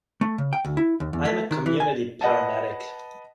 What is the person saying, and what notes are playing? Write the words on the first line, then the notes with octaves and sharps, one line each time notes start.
I am a community paramedic.
A3
C#3
G5
D2
E4
D#2
E2
A3
D#3
E3
G#5
B4 D#5 F#5 A5